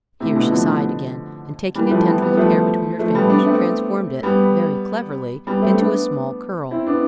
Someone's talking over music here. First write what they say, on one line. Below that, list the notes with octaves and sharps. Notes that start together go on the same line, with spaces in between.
Here she sighed again, and, taking a tendril of hair between her fingers, transformed it, very cleverly, into a small curl.
A2 C3
B2 D3
D3 F3
E3 G3
F3 A3
G3 B3
G3 B3
F3 A3
F3 A3
G3 B3
B3 D4
A3 C4
G3 B3
G3 B3
A3 C4
B3 D4
C4 E4
B3 D4